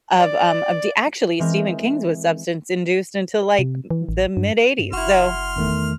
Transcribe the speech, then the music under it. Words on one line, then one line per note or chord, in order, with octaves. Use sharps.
of, um of the actually Stephen King's was substance-induced until, like, the mid-eighties, so
D5
E3 G#3 C4 A#4
C3
E3
A1
G2
G2
F#1 E4 F#4 C6 F6
E2 D#3 A3